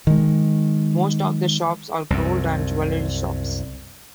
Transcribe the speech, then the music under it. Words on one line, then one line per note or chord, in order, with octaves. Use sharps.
Most of the shops are gold or jewelry shops.
D#3 G#3
C2 F#2